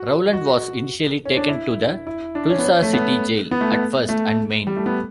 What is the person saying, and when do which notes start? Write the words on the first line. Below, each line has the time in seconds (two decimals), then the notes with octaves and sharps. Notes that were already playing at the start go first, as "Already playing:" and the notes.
Rowland was initially taken to the Tulsa city jail at First and Main.
Already playing: F#4
0.33 F#4
1.25 C#4
1.37 D4
1.49 E4
2.07 E4
2.35 D4
2.50 C#4
2.58 B3
2.64 C#4
2.82 A3
2.93 B3
3.51 B3
3.61 A3
3.72 B3
4.09 A3
4.67 G3
4.77 A3
4.86 B3